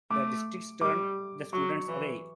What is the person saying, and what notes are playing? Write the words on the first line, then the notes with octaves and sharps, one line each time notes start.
The district turned the students away.
A3 D6
G3 D6
F#3 C#6
E3